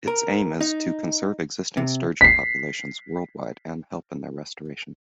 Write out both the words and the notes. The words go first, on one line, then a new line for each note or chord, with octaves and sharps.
Its aim is to conserve existing sturgeon populations worldwide and help in their restoration.
A#4
D#4
C3
B6 C7